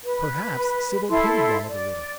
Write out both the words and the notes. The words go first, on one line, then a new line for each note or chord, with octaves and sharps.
Perhaps Sybil pitied Ronald a little.
B4
E4 A4 C6
D5